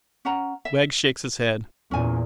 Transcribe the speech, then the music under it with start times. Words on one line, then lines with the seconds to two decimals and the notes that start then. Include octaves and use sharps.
Wegg shakes his head.
0.25 C#4 F#5 A#5
0.65 E5
1.91 E2 A#2 C#4 G#5